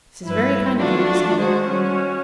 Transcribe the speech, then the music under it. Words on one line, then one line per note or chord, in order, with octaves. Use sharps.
"This is very kind of you," he said.
G2 E4 B4
F#3 A3 D4 F4 F#4
D#3 G#3 F#4 G#4 C5
G3 C#4 F#4